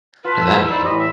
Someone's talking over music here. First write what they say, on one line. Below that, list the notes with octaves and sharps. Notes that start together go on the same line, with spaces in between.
What does that mean?
F4 B4 A5
A#2 F3 E4 E6
D#4 C5 D5 B5
A2 E3 G3 D#5 B5
E5